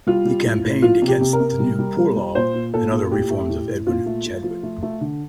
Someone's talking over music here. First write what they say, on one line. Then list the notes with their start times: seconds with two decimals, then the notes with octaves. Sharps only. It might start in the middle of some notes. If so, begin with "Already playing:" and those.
He campaigned against the new Poor Law and other "reforms" of Edwin Chadwick.
0.07 G3 F4
0.25 G3
0.44 A2
0.64 A2
0.82 F3 F4
1.02 C3
1.08 G4
1.21 C3
1.33 A#4
1.40 C3
1.59 G3
1.79 G3
1.97 G3
2.16 G3
2.35 A#2 C5
2.54 A#2
2.73 A#2 A4
2.92 A#2
3.11 A2 G4
3.30 A3
3.49 A2
3.68 A2
3.87 A#2 F4
4.06 A3
4.26 A3
4.44 F3
4.63 A3
4.83 A3
5.01 D3